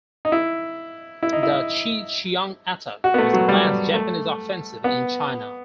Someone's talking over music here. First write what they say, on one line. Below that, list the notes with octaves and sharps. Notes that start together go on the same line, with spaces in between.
The Chihchiang attack was the last Japanese offensive in China.
D#4
E4
E4
D#4
E4
F#4
B3
A3
F#3
G3
A3
B3